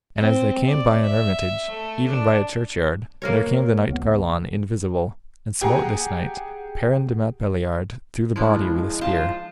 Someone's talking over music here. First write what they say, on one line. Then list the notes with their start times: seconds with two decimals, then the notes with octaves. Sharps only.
And as they came by an hermitage even by a churchyard, there came the knight Garlon invisible, and smote this knight, Perin de Mountbeliard, through the body with a spear.
0.17 C4
0.66 D5
1.04 E5
1.69 A3
2.06 D4
3.22 A#3 A#4 C#5
3.89 C#2 B3
5.61 G4 G#4 F#5 A#5
8.36 F3 G#3 D4 E4
9.01 F4 C5 A5